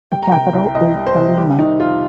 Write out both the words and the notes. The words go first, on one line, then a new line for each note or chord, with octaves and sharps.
The capital is Salima.
G3 G5
A#5
C3 G5
C2
C2 D#5
G3
C5
C3
G3 G4
D#3 D#4
F2 F4